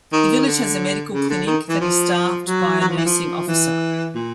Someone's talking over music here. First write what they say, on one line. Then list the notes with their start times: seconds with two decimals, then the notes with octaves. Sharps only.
The village has a medical clinic that is staffed by a Nursing Officer.
0.13 D#3
0.46 D3
1.14 C#3
1.30 D3
1.47 D#3
1.69 E3
1.81 F3
2.47 F#3
2.81 F#3
2.88 F3
2.97 E3
3.05 F3
3.48 E3
4.15 A#2